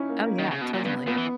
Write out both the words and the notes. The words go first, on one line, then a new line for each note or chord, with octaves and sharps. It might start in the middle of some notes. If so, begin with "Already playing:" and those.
Oh, yeah, totally.
Already playing: C#4 D#4 E4
A#3
A#3
D#3
C#3
B2
A#2
G2 B3
A#2 B3
E3